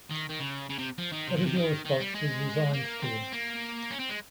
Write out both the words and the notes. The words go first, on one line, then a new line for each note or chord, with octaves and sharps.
What is your response to the design scheme?
D#3
D#3
C#3
C#3
C3
F3
D#3
C3
A#2
C3
D#3
D#3
G3
G#3
A#3
C4
A#3
C#4
C4
G#3